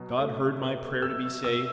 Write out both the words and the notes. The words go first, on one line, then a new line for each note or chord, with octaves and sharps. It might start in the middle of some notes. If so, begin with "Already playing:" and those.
God heard my prayer to be saved.
Already playing: B2 F#3
A3
B2
B2 E6
B2 E6